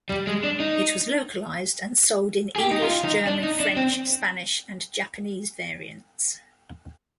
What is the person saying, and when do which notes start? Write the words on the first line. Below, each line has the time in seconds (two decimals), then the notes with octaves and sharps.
It was localized and sold in English, German, French, Spanish and Japanese variants.
0.09 G3
0.27 G#3
0.44 D4
0.60 D#4
2.56 G#4
2.60 G4
2.71 D#4
2.82 F4
3.04 D#4
3.27 D4
3.43 D#4
3.60 D4
3.77 C4